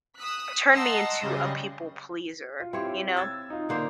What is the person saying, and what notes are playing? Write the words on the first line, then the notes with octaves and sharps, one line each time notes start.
turned me into a people pleaser, you know,
D#6 E6 F#6 B6
D#5 F#5 A5 A#5 C6 E6
F#2 C#3 G3 G#3 D#5
F4
C4 E4 F4 G4 C#5
E6 G#6 A6
D#4 F4
D3 A#3 C5